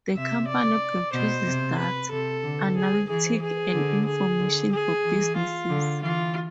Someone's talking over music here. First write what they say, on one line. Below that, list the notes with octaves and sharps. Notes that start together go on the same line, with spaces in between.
The company produces data, analytics and information for businesses.
C3 E5
D5
B2 C5
C3
B4
C3 A4
D3
G#4
E3 G#4
G#4
D3
G#4
D3
G#4
E3
F4
D3
E3 F4